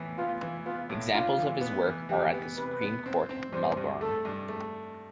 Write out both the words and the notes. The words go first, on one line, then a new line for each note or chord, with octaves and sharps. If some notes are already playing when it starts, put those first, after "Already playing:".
Examples of his work are at the Supreme Court, Melbourne.
Already playing: A2 E3 B3
B3 F4
E3
B3 F4
A2
D4 F4
E3
B3
E3
E3 G4
B3
C3 B4
B3
C4
C4
G2 C5
G2
A3 A4
G2
A3